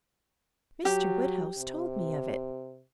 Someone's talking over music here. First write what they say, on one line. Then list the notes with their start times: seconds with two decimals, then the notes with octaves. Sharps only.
Mr. Woodhouse told me of it.
0.85 F#3 G4
1.58 C3